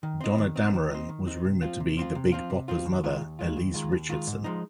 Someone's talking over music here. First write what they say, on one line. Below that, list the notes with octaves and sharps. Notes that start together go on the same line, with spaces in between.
Donna Dameron was rumoured to be The Big Bopper's mother, Elsie Richardson.
D#3
C4 D#4
D#3
C4 D#4
D#3
C4 D#4
D#3
C4 D#4
C3
F3 C4 F4
C3
F3 C4 F4
C3
F3 C4 F4
C3
F3 C4 F4
D#2
D#3 G#3 F4
D#2
D#3 G#3 F4
D#2
D#3 G#3 F4
D#2
D#3 G#3 F4
G#2
F3 G#3 D#4